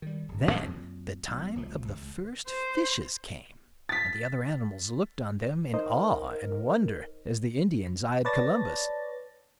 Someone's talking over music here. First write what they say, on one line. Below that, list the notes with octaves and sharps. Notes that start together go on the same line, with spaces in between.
Then, the time of the first fishes came, and the other animals looked on them in awe and wonder as the Indians eyed Columbus.
D#3 G3
D1
F#2 A#2 F#3 C4
B1
E1 C2 F3 A3
C#2
C5
A6 B6
D#4 A#4 C5 D#5
B4 C#5 D5 A5 A6 A#6